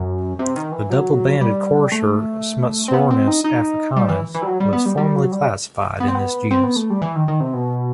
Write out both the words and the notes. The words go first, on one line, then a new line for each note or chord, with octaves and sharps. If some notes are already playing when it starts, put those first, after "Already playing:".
The Double-banded courser, "Smutsornis africanus", was formerly classified in this genus.
Already playing: F#2
C3
D#3
E3
F#3
G3
A3
C4
B3
C4
D#4
D#4
G3
E3
E3
G3
F#3
G3
B3
G3
G3
F#3
G3
B3
C4
B3
C4
B3
A3
G3
E3
D#3
D#3
C3
B2